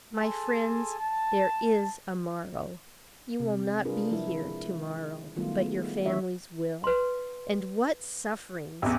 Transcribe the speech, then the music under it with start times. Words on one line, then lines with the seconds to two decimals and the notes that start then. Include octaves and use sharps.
My friends, there is a morrow; you will not be here to-morrow, but your families will; and what sufferings!
0.15 G#4 A4 G#5 A5 C6
1.00 A5
3.40 C3
3.85 D4 F4 G#4 A#4 B4
4.10 F3 G#3 E4
5.36 D#3 F#3 G3 A3 B3 F4
5.60 G#3 A3 B3
6.06 E3 F#3 D4 F#4 C#5 E5
6.84 B4 C6
8.82 A1 E2